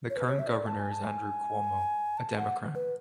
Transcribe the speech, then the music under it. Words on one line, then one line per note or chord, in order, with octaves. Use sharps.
The current governor is Andrew Cuomo, a Democrat.
C#5
B4
C#5
E5
D5
A5
G#5
A5
G#5
A5
F#5
B4